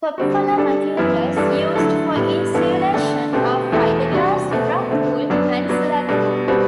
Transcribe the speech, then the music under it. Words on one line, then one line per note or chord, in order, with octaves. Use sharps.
Popular materials used for insulation are fiber glass, rock wool, and slag wool.
D3 G3 C4 F#4
G3 D4 A4
F#2 E3 B3 E4
G2 E3 G3 D4 A4
D3 F#3 A3 E4 A4
A2 G3 B3
G2 E3 B3 E4 A4
D3 A3 D4 A4
B2 A3 C4 G4 C5
E2 B2 A3 E4 A4
C3 G3 D4 F#4
B2 A3 C4
D3 A3 C4
F#2 F#3 B3 D4
F#3 B3 D4
B2 G3 D4 A4
B2 G3 C4 F#4 B4